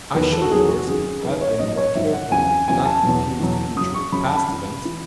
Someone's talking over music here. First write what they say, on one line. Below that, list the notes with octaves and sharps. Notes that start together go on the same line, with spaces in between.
I should, of course, have been more careful, and not confused future with past events.
E2 D#3 F#3 B4
A4
F#4
E2 D#3 F#3 G#4
F#4
F#2 D#3 F#3 G#4
F#2 D#3 F#3 B4
C#5
G#2 F#3 D#5
C#5
G#2 F#3 E5
F#5
E2 C#3 F#3 G#5
E2 C#3 F#3 G#5
A5
E2 B2 F#3
E2 B2 F#3
F#2 C#3 F#3 D#6
C#6
F#2 C#3 F#3 B5
A5
B5
F#2 E3
E3